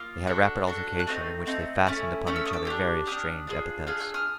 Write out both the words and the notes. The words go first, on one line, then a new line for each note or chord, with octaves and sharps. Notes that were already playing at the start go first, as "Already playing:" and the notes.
They had a rapid altercation, in which they fastened upon each other various strange epithets.
Already playing: A#3 F4 D#6 F6
D4 F#4 A4
D4 F#4 A4
F#6
A3 C4 D#4
A3 C4 D#4
A3 C#4 E4
A3 C#4
E6
D#6
D6 E6
D4 G4
D4 G4 D#6 F6
D4 F4 G#4
D4 F4 G#4 D#6 F6
E6 F#6
D#6 F6